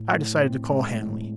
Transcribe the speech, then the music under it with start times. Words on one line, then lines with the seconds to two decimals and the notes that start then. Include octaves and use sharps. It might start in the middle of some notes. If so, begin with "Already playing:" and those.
I decided to call Hanley.
Already playing: A2
0.12 A2
0.41 C4
0.72 G#3
1.01 A2